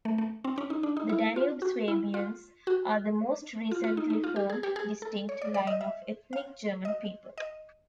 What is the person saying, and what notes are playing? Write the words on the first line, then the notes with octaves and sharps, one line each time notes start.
The Danube Swabians are the most recently formed distinct line of ethnic German people.
A3
A3
C4
C#4
D#4
D4
D#4
E4
F4
F#4
E4
F4
F#4
F4
F4
D#4
D#4
F4
G4
G#4
G4
G#4
A4
C#5
D5
D5
D#5
E5
F5
D#5
D#5